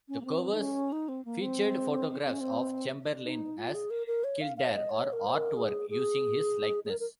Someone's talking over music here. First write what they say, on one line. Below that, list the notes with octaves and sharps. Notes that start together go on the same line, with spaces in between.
The covers featured photographs of Chamberlain as Kildare, or artwork using his likeness.
C#4
A#3
C4
D#4
C#4
D#4
C4
A#3
C4
C4
C#4
C4
D#4
F4
G#4
A#4
A#4
C#5
F5
F5
C#5
D#5
C#5
A#4
C5
A#4
G#4
G#4
G#4
A#4
A#4